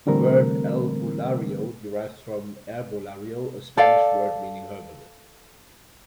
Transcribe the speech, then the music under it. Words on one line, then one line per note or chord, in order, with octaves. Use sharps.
The word albularyo derives from "herbolario", a Spanish word meaning herbalist.
D3 E3 G3 A3 C4 A#4
A4 D5 F5